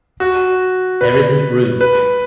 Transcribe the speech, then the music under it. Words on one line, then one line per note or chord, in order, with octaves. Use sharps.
There isn't room.
F#4
B4
B4